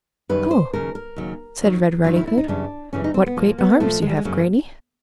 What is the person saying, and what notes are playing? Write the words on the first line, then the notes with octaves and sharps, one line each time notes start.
"Oh!" said Red Riding-Hood, "what great arms you have, Grannie!"
F#2 D#3 G3 B4
C5
D#2 C#3 F#3 A#4
A#4
D#2 C#3 F#3
D#2 D#3 F#3
D#2 D#3 F#3 F4
E4
E4
D#4
F#2 C#3 E3 G3 D4
F#2 C#3 E3 G3 C#4
D#4
C4
B3
A#2 F3 A#3
B3
A#2 F3 A3
G#3
G3
G#3
F#2 C#3 F#3 A#3